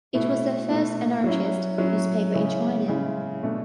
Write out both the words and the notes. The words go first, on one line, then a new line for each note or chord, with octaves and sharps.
It was the first anarchist newspaper in China.
B2 A3 E4
B2 A3 E4
F#3 C#4 E4
F#3 C#4 E4
C#3 G#3 C#4 E4
C#3 G#3 C#4 E4
B2 A3 D4